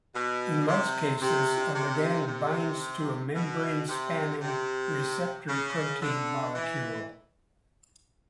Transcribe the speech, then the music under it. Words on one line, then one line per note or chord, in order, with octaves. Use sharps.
In most cases, a ligand binds to a membrane-spanning receptor protein molecule.
B2
C3
C3
C3
C3
B2
C3
C3
C#3
D3
E3